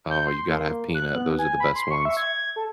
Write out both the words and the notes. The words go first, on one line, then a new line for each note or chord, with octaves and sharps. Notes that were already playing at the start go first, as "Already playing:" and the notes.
Oh, you gotta have peanut, those are the best ones.
G6
C6
A#3
F#6
B3
G#5
B5
C6
C#6
E5
G#6
A4